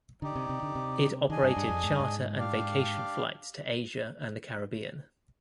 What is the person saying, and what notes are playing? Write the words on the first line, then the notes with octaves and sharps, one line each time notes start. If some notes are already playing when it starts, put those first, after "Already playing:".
It operated charter and vacation flights to Asia and the Caribbean.
D3 D#4 G4 D5
C3
C3
D3
C3
D#3 D4 G#4 D#5 G#5
G2
G2
F2
G#2
G2
G#2
D4 G4 D5 F5